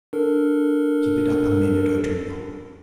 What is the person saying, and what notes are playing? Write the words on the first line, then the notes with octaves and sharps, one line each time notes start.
Keep it up a minute or two longer.
D4 A4 A#4